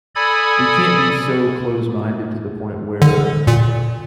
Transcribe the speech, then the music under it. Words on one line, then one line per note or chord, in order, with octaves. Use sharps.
we can't be so close-minded to the point where
A4 D5 G#5 B5 D#6 G#6
D3
A#2